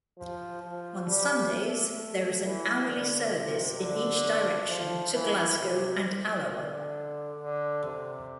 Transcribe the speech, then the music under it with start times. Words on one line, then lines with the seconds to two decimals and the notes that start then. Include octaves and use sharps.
On Sundays, there is an hourly service in each direction to Glasgow and Alloa.
0.18 F3
0.63 F3
1.07 G3
1.53 A3
2.44 E3
2.89 D3
3.33 C3
3.78 D3
4.69 F3
5.13 E3
5.59 C3
6.48 D3
7.39 D3
7.84 C3